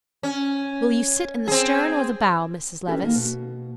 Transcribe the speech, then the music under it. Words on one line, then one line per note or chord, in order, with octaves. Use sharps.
"Will you sit in the stern or the bow, Mrs. Levice?"
C#4
C4 G#4
C#4 D4 G4 A4 B4
D#3 A#3
B2